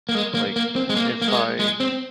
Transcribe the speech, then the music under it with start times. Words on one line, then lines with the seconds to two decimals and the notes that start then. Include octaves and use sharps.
Like, if I
0.09 A#3
0.15 G#3
0.34 A#3
0.56 A#3
0.76 C4
0.89 G#3
0.96 A#3
1.22 A#3
1.28 G#3
1.59 G#3
1.80 C4